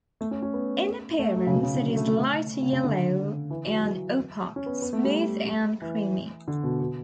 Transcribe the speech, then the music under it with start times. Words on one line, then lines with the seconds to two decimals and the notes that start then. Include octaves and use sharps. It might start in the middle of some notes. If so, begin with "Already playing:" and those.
In appearance, it is light yellow and opaque, smooth and creamy.
0.21 A3
0.31 C#4
0.42 C#4
0.53 B3
1.19 A3
1.36 F#3
1.47 C#3
1.52 B2
1.63 C#3
1.74 D3
1.85 F#3
1.97 A3
2.08 A3
2.62 C#3
2.73 C#3
2.84 D3
3.50 E3
3.67 F#3
3.83 F#3
4.56 C#4
4.66 B3
4.82 B3
4.93 A3
5.04 G3
5.82 E3
6.48 D3
6.63 B2
6.80 B2